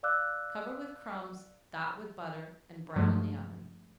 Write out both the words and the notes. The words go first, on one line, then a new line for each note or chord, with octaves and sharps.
Cover with crumbs, dot with butter, and brown in the oven.
D5 F5 D6 E6 F#6
G2 F3 F#3 G#3 A3